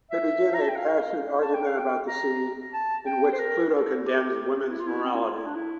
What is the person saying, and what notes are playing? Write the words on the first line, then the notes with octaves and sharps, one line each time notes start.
They begin a passionate argument about the scene, in which Pluto condemns women's morality.
E5
A#5
A5
G5
F5
A5
G5
F5
G5
A#5
A5
G5
C5
A#4
A4
G4
E4
F4
E4
C4
E4
F4
E4
D4
E4